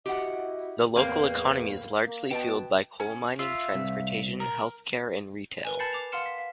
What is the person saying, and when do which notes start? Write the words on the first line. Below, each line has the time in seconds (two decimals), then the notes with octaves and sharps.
The local economy is largely fueled by coal mining, transportation, health care and retail.
0.06 E4 F#4 G4 D#5 F#5
0.96 E2 A2 A#3 C4
2.07 A#3
2.31 B2 G5 A5
3.00 C#4
3.39 F4 E5 F5
3.74 C2
4.40 A#4
5.64 A#4 B4 G#5
5.79 A5 B5 G6 A6 C7 C#7
5.93 D6 F7
6.12 F5 F#5 C6 F6 C#7 E7
6.26 B6
6.38 F5